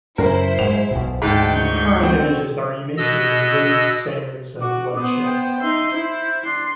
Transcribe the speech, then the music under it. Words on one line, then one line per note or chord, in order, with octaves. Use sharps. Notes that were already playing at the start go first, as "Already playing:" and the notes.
Recurrent images are emaciated women, sailors and bloodshed.
F#2 C#3 E4 A#4 C5
G#2 G#3 F7
B1 B2
D2 G#2 G#3 G5 A5
C#6 G6
C4 F#4
B2 D#5 E6
F#4 D6
B3 C5 D#6
G5
D#4 E5 C6
E4 C5
D4 C6 C7